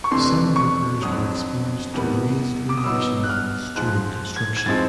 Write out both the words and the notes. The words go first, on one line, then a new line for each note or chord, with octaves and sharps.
Some workers were exposed to raised radiation levels during construction.
C#6
F2 C3 E3 A3 D4 C6
C#6
F2 D3 F#3 D#6
E2 C3 D#3 G3 B3
D6
D#6
B2 F#3 B3 D#4 E6
F#6
F6
G#2 F3 G#3 F#6
G#6
G#6
A2 F3 G#3 C4 D#4 A6